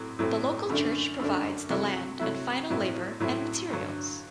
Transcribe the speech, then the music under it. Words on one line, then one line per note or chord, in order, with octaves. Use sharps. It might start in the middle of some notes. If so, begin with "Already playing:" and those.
The local church provides the land and final labor and materials.
Already playing: A2 F#3 A3 C4
A2 F#3 A3 C4
F#2 D3 A3 D4
F#2 D3 A3 D4
C3 F#3 A3 E4
C3 F#3 A3 E4
A2 F#3 C4 E4
A2 F#3 C4 E4
G2 D3 F#3